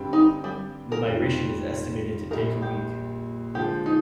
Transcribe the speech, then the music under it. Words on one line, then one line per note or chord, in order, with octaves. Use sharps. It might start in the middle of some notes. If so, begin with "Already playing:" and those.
The migration is estimated to take a week.
Already playing: G2 D3 G3 C4 G4
D#4
G3
A#4
F2 D#3 G3 A#3 F4
A#1 A#2 G3 A#3 A#4
G4
D3 F3 G#3 G4
D#4